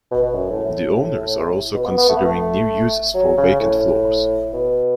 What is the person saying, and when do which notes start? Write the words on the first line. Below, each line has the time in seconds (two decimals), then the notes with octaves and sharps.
The owners are also considering new uses for vacant floors.
0.11 B2
0.23 B2
0.34 F#2
0.50 A2
0.65 A2
1.74 B2
1.86 B3
1.97 B3
2.09 A3
2.17 B3
2.25 A3
3.14 F#3
3.38 C#3
3.60 A2
4.53 B2